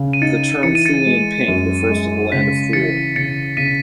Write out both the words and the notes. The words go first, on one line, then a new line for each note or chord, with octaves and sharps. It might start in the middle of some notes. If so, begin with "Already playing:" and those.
The term "Thulian pink" refers to the land of Thule.
Already playing: C#3
D#7
D#4 A6 C#7
E3 C#7
D#7
A6 C#7
G#3
F#2
G#3
C#3 B6
E3 A6 C#7
C#3 A6 C#7
C#3 B6 D#7